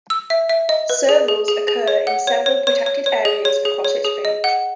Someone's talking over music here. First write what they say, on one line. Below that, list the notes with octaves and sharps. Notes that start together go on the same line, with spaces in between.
Servals occur in several protected areas across its range.
E6
E5
E5
D#5
B4
G#4
G#4
G#4
G#4
C#5
F#5
C#5
C#5
C#5
C#5
C#5
G#4
C#5
G#4
C#5
G#4
D#5
F#5